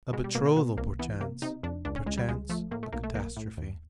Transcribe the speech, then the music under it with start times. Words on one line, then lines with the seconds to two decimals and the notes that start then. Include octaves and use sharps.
A betrothal perchance, perchance a catastrophe.
0.13 B2 G#3
0.24 G3
0.35 B2 A#3
0.46 A#3
0.56 B2 B3
0.77 C2 A#3
0.99 E3 B3
1.20 C3 A#3
1.42 C3 D#4
1.63 F2 D4
1.85 C#2 D4
1.96 C#4
2.06 C#2 G#3
2.18 G3
2.29 C#2 G#3
2.50 F3 A3
2.71 A2 A#3
2.83 A3
2.93 B1 A#3
3.04 A3
3.15 B1 A#3
3.37 A2
3.57 D#2